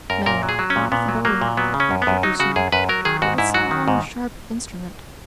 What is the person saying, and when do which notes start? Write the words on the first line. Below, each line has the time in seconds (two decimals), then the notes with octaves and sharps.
"No, not with a bowie," corrected Lucian, "but with some long, sharp instrument."
0.10 F#2 A#4
0.26 A#2 A#4
0.43 F#3
0.49 G#4
0.59 F#3
0.70 C#4
0.76 A#2
0.92 A#2 B3
1.08 F#3
1.25 F#3 A#3
1.41 A#2
1.57 F#3 B3
1.74 C#3
1.80 C#4
1.91 F#2
2.02 B3
2.07 F#2
2.23 F#3 D#4
2.40 C#3 F#4
2.56 F#2 G#4
2.72 F#2 B4
2.89 F#3 A#4
3.05 D#3 G#4
3.22 G#2 F#4
3.38 G#2 E4
3.54 F#3 F#4
3.71 D#3
3.88 G#2